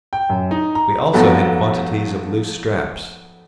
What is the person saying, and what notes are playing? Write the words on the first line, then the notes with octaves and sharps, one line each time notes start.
We also had quantities of loose straps.
G5
F#2
D#4
A#5
F2 G#2 F#3 A3 B3